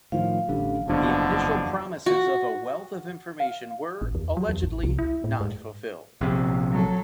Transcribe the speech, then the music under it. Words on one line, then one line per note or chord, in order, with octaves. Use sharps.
The initial promises of a wealth of information were, allegedly, not fulfilled.
A2 D#3 F3 F5
A1 D3 G3
F#1 E2 B2 D3 F3 D4
F#4
F5
A1
E2
F#3
E2
A1
C2
E4
A2
G#2
A#1 C3
F#3 A4